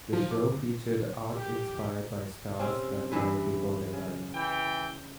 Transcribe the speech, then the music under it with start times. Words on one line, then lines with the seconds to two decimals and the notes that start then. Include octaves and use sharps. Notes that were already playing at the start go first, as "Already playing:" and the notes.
The show featured art inspired by stars that died before their time.
0.13 F3
0.31 D6
1.34 G4
2.59 C3 C4 C#4
3.12 G2 E3 B4
3.93 C#3
4.34 E3 G5